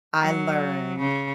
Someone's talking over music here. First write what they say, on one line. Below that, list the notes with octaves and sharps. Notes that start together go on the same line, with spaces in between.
I learned,
F#3
C#3